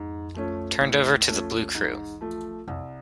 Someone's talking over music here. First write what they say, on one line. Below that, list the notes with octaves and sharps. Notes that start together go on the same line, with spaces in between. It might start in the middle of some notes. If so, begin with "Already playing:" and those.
Turned over to the Blue Crew.
Already playing: F2 G#2
F3 A3 C#4
E2 A2
F3 A3 C#4
G#2
F3 A3
C2 F2